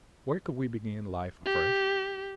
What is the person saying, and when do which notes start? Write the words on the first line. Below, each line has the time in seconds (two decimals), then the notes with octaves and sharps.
Where could we begin life afresh?
1.45 G4